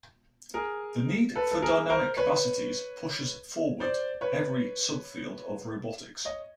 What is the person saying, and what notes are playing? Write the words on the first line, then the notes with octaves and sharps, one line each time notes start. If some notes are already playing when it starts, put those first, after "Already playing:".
The need for dynamic capacities pushes forward every sub-field of robotics.
G#4 A#4
A4 B4
A4
G#4 A#4
A#4 C5
B4 C#5
C5 D5
B4 C#5
C#5 D#5